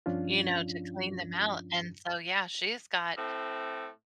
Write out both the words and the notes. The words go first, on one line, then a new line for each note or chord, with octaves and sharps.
you know, to clean them out. And so, yeah, she's got
G2 F3 C#4 D4 F4
A2 A3 C4